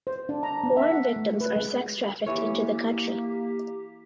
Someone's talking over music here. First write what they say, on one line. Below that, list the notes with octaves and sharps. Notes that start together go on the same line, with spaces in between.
Foreign victims are sex trafficked into the country.
C5
D4
A#5
B3
E5
F#5
A3
B4
G#3
E3 A#3 G4 C#5